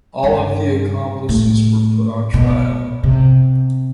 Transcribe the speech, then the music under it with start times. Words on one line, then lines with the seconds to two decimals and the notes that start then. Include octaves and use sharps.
All of the accomplices were put on trial.
0.23 G2
1.29 A2
2.34 B2
3.03 C3